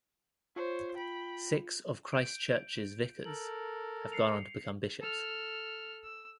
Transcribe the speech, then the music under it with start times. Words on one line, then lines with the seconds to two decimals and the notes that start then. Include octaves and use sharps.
Six of Christ Church’s vicars have gone on to become bishops.
0.56 F4 C5 C#5
0.96 G5 B5
2.12 G6 D7
3.25 A4 A#4 F#7
4.12 C7 C#7 F7
5.01 A4 F6
6.03 E6